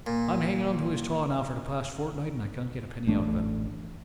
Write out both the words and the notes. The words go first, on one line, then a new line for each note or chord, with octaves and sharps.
I'm hanging on to his taw now for the past fortnight and I can't get a penny out of him.
A#2
A1 A3 D4